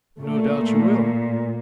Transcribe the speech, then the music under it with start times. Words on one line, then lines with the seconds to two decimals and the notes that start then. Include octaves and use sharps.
"No doubt you will!"
0.20 A#2 A3